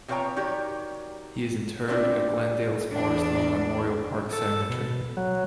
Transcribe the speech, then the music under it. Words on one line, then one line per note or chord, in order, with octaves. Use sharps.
He is interred at Glendale's Forest Lawn Memorial Park Cemetery.
C3 F3 B3 C#5 G5 A#5
D#3 F#3 G4 D5
G3 A3 C4 D4 E4 F4
E2 D4
A4
B2
F#3